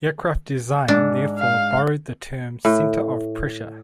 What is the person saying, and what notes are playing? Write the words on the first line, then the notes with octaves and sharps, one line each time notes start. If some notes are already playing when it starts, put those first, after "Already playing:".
Aircraft design therefore borrowed the term center of pressure.
G#2 D4
F5
A2